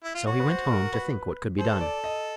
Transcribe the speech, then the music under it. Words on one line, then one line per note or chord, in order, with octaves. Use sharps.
So he went home to think what could be done.
E4
F4
F#4 C#5
B4
C5
A#4
B4
A4 C5
D5
D#5